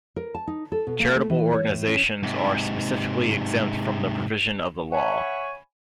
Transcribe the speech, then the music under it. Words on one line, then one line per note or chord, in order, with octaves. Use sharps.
Charitable organizations are specifically exempt from the provision of the law.
A#4
A5
D#4
A4
B2
A#3
A3
E3
C#5
A2
C#4
G#2 C3
C#5 E5 F#5 G#5 B5 C#6